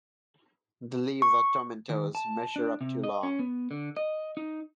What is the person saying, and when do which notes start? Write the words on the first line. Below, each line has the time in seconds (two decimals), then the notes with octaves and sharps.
The leaves are tomentose and measure up to long.
1.22 C#6
1.90 D#3
2.15 A5
2.56 D4
2.81 C3
3.04 D#5
3.23 C#4
3.39 B3
3.71 D3
3.97 D#5
4.37 D#4